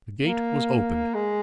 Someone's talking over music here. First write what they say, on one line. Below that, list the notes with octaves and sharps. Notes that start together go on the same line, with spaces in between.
The gate was opened.
A#3
G#3